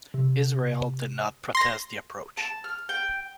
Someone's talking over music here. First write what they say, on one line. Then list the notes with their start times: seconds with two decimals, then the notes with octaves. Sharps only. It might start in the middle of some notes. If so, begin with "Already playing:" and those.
Israel did not protest the approach.
0.14 C3
1.55 C6 A#6
2.37 A5
2.64 F6
2.89 G5